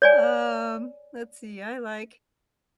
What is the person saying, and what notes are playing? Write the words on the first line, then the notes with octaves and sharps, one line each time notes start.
Um, let's see, I like
C#5 D5 G#5